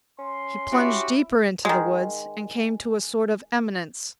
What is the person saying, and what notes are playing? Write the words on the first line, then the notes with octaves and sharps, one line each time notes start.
He plunged deeper into the woods and came to a sort of eminence.
C#4 C6
E4 F#4 G4
D#3 G#3